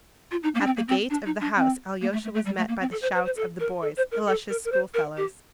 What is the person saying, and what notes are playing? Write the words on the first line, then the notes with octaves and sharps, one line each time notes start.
At the gate of the house Alyosha was met by the shouts of the boys, Ilusha's schoolfellows.
F4
D#4
A#3
D4
C4
A#3
C4
D4
D#4
D4
C4
A#3
A3
A3
A3
G3
A3
A#3
C4
A4
C5
C5
C5
A4
A#4
A4
C5
A#4
A4
A#4
A#4
C5
A#4
G4